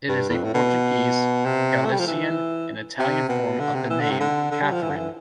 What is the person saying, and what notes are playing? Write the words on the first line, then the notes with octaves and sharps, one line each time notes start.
It is a Portuguese, Galician and Italian form of the name Katherine.
G2
E2
F2
A2
B2
C3
A3
G3
F3
E3
C3
B2
D3
C3
E3
D3
C3
D3
D3
G3
F3
E3
D3
E3